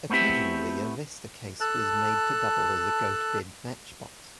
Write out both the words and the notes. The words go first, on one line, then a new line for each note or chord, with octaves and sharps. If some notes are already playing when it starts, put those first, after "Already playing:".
Occasionally a vesta case was made to double as a go-to-bed matchbox.
A3 B3 C4 E4 G4
A4 A5 F#6